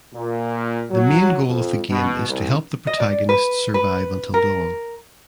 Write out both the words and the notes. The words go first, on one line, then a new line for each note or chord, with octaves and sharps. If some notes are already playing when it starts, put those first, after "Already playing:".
The main goal of the game is to help The Protagonist survive until dawn.
A#2
F#3
F2
B2
C2
D#5
D5
B4
B4
A#4